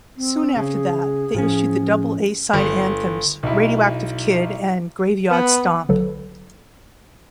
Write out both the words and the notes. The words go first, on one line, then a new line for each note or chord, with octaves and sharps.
Soon after that, they issued the double A-side anthems "Radioactive Kid" and "Graveyard Stomp".
C4
C#3 G#4
A2 F3 C#4
G1
B1 E4
B3
A#1 D3 F#3 A4 B4